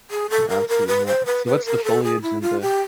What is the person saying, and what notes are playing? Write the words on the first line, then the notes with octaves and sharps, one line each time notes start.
Absolutely not. So, what's the foliage and the
G#4
A4
A#4
A#4
B4
C5
B4
B4
A#4
A4
G#4
E4
F4
G4